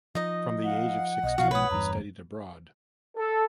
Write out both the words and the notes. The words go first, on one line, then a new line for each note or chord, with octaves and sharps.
From the age of sixteen he studied abroad.
F3 D#4 D#5
F5 F#5
B1 D#5
B1 B2 F3 F#4 F5
B4 C#5 D#6
G1 E2 G2 A#5
A4